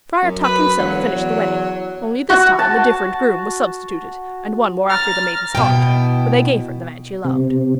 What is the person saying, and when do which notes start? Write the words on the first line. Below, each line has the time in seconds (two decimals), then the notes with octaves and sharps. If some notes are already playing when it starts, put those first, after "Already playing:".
Friar Tuck himself finished the wedding--only this time a different groom was substituted and one more after the maiden's heart, for they gave her the man she loved.
0.22 F#2
0.44 B4
0.79 E1 F#3
1.15 E2
2.30 F#4
2.59 A5
4.88 A#5 F6 A6
5.55 B2 E4 G5
7.25 C3